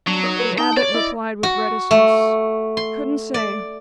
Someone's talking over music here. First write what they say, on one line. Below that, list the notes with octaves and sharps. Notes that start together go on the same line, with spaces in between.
The Abbot replied with reticence, couldn't say.
F#3 D4
D#4 C#5
B4
D#4 G5 A5
C#5 D5
E4 D#5
F#4
A3
C6
D5